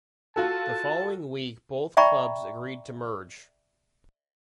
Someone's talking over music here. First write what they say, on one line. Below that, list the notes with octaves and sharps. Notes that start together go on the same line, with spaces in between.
The following week both clubs agreed to merge.
F4 F#4 A4 A5
D5 E5 G5 A#5 B5 C#6